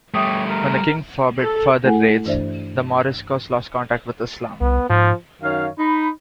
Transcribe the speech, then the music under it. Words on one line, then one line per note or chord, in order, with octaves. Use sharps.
When the king forbid further raids, the Moriscos lost contact with Islam.
G3 A3 G4 C#5 E5 D#6
A#4
A4
A3 E4 G#4 A4 F#5 G#5
G2 E3 D4 C5 D5 E5
C2 B3
G#2 F3
F#2 D#3 C#5 F5
D#4 B5